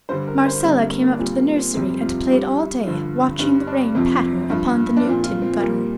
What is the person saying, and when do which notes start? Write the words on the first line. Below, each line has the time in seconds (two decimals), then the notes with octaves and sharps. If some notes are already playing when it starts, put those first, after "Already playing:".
Marcella came up to the nursery and played all day, watching the rain patter upon the new tin gutter.
0.09 G2 D3 G3 C5
0.27 A#4
0.46 C5
0.64 G2 D3 G3 C4
0.83 A#3
1.01 A#3
1.12 D4
1.19 A#2 G3 C4
1.38 A#3
1.56 C4
1.74 F2 C3 G3 C4
2.02 F4
2.30 G2 G3 G4
2.84 G2 D3 F3
3.39 G2 G3 C4
3.67 D4
3.95 F2 C3 F3 C4
4.50 G2 F3
4.97 D4
5.05 A#2 F3 C4
5.24 F4
5.42 C4
5.60 A#2 G3 A#3